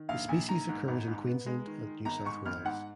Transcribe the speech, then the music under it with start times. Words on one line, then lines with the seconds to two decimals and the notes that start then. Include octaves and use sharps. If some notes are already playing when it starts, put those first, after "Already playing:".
The species occurs in Queensland and New South Wales.
Already playing: D#3
0.09 A#1 F5
0.28 A#1 G#5
0.48 D#3 A#5
0.69 G#2
0.88 G#1
1.08 G#2
1.28 B3
1.46 G#3
1.67 D#3
1.87 D#3
2.05 G#1 A#5
2.25 G#2 C#6
2.45 G#1 F6
2.65 G#2 F#5